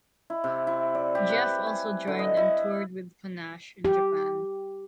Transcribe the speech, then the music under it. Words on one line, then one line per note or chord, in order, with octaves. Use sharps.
Jeff also joined and toured with Panache in Japan.
E4
C3
E4
D5
G4
B4
G#5
D3
D#5
E4
G4